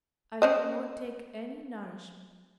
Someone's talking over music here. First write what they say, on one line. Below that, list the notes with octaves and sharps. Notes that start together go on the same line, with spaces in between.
I could not take any nourishment.
C#4 C5 D#5